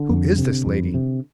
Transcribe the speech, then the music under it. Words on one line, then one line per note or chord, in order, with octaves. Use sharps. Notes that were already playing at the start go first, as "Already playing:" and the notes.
Who is this lady?
Already playing: D3
F2
C3
F2
C3